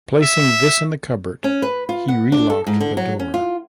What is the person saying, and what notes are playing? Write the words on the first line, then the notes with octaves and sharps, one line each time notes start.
Placing this in the cupboard, he relocked the door.
E5
C#4
B4
F4
F#5
D4
A4
G#2
D3
F#3
C#4
F4